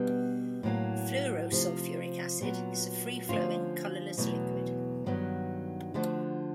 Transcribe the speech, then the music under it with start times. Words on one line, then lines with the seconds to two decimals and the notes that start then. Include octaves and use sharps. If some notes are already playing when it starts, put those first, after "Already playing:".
Fluorosulfuric acid is a free-flowing colorless liquid.
Already playing: B2 G3 B3 D4
0.63 A2 F#3 A#3
1.52 C3 F3 A3
2.41 A#2 F#3 B3
3.29 D3 F3 A3 C#4 F4
4.17 E2 B2 F#3 A3
5.06 G2 D#3 F#3 B3
5.94 D3 F3 A3 D4 F#4